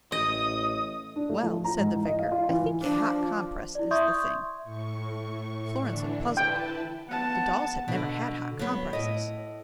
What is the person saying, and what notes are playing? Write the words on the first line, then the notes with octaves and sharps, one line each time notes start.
"Well," said the vicar, "I think a hot compress is the thing." Florence looked puzzled; the dolls had never had hot compresses.
A1 D#5 D#6
D4
A3
F3
A#5
G#2
E3
D#5
F5
F4
E3
F3 D4
E4 D5
E5 C6 C#6 D#6 G6 G#6
A2 C#6
D3 E3 D4
E4 B4 G5 A5
B3 F#5 A5
B2 D3
F#3 B3
A2 D#5